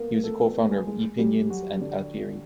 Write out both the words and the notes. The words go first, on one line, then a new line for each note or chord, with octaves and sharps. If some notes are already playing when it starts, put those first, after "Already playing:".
He was a co-founder of Epinions and Alpiri.
Already playing: A#3 B3 A#4
A3 A4
B3 B4
G#3 G#4
G#3 G#4
G3 G4
F#3 F#4
D3 D4